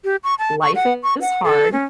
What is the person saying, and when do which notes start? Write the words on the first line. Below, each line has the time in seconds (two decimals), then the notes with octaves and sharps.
life is hard,
0.04 G4
0.24 C#6
0.39 A5
0.61 C#6
0.76 F#5
1.03 C#6
1.21 F#5
1.44 A4
1.73 C#4